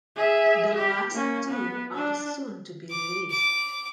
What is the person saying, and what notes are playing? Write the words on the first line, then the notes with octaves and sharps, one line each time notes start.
The last two are soon to be released.
G#4 E5
G4
A#3 C#4
B3
D4
D6
D6